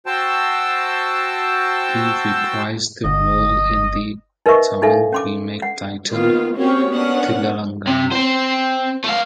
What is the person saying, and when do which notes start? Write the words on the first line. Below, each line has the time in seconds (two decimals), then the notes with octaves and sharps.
He reprised the role in the Tamil remake, titled "Thillalangadi".
0.06 F#4 C5 G5 A5 E6
3.04 G1 D#5
4.46 D#4 A#4 B4 D#5 E5 C#6
4.82 D4 D#4 A4 E5 F5
5.13 C#4 C6 D6
5.62 F#5
6.10 D#3 A#3 B3 F4
6.56 A#3 C4 C#4 F#4 G4 C#5
6.88 A#3 B3 C#4 D4 F#5
7.87 C3
8.12 C4 C5
9.04 A3 F5